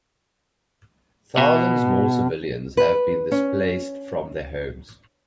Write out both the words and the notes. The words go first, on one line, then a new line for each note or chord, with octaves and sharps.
Thousands more civilians have been displaced from their homes.
B2
B4
C#4